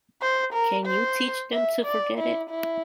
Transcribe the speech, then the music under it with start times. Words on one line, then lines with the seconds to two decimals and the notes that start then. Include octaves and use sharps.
Can you teach them to forget it?
0.21 C5
0.53 A#4
0.86 C5
1.52 E5
1.84 D5
2.18 E4
2.50 E4